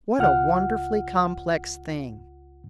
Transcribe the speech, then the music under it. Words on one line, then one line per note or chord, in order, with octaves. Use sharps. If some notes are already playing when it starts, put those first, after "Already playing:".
What a wonderfully complex thing!
C#2 F4 F#5 F6